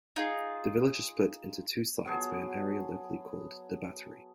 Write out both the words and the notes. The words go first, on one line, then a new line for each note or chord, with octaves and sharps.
The village is split into two sides by an area locally called 'The Battery'.
D#4 F4 G#4
F#3 B3 G#4 A4